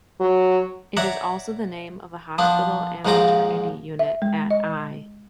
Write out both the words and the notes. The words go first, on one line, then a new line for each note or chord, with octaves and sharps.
It is also the name of a hospital and maternity unit at Eye.
F#3
C#5 D5 E5 F#5 A#5
F3 B3 D4
D#2 G#2 F3 F4 A#5 D6
E5
G#3
D#5